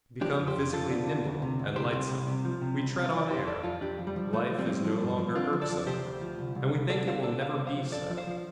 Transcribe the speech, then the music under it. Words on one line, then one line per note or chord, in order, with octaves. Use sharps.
We become physically nimble and lightsome; we tread on air; life is no longer irksome, and we think it will never be so.
F3 D4 G4
F2
G4 C5
F2
F3 F4 A4
D3
D3
D2
C3
D2
C2 G4 C5
C3
C2
C3
F3
C3
C2
C3
F5
F3 D5
F2 G4 C5
F2 A4 D5
F2 F4 A4
F2 D4 G4
F3
G3
F3
F3 A3
F3
G3 C4
F3
F3
G2
F3
D3 C4 F4
F3
A4 D5
F3
C3 G4 C5
D2
F3
C2
C2
C2
D3 A4 D5
D3 C5 F5
D3 A4 D5
C2 C5 F5
C3
C5 F5
F3
F2 A4 D5
F3
C5 F5
F3